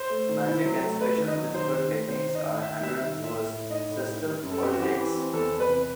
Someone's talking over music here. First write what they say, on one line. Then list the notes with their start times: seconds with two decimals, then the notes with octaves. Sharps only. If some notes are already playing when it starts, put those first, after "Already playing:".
Magic and special physical techniques are handled through a system called Techs.
Already playing: C5
0.10 A3
0.29 D#3
0.47 E4
0.65 F#3
0.82 A3
1.00 A3 B4
1.18 D#3
1.27 D#5
1.37 F#3
1.54 D#3 C5
1.73 D#3
1.90 A3
2.08 D#3 C5
2.27 D#3
2.35 D#5
2.44 D#3
2.63 D#3 E5
2.80 G3 E5
2.99 D#3 E5
3.16 A2
3.24 E5
3.35 A2
3.53 A2
3.70 D#4 D#5
3.89 A2
4.07 D#4
4.24 G3
4.43 F#2
4.51 A4
4.61 C4 G4
4.73 F#4
4.78 E3 G4
4.97 E3
5.15 C4
5.34 E2 A4
5.52 E2
5.60 B4
5.68 C3